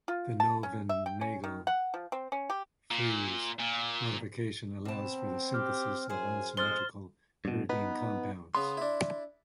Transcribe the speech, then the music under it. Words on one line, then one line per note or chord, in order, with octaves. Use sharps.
The Knoevenagel-Fries modification allows for the synthesis of unsymmetrical pyridine compounds.
F4
A5
C#4
E5
G5
C#4
D#3
F#5
F3
C4
C#4
G4
A#2
A#2
B2 C4 A5
G4 F6
F#2 G#4 C5 G#5
F2 G#3 C5 F6 A6 G7
G2 B2
B3 D#4 B4
C#3 B3 C6
D4 E4